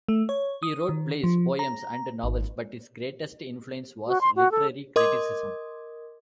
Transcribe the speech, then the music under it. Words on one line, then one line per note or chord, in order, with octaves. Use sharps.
He wrote plays, poems, and novels, but his greatest influence was literary criticism.
A3
C#5
D#6
D#3
F3
A#5
G#1
F#4
C6
F#4
A4
A#4 D#5 C6 D6 D#6 G#6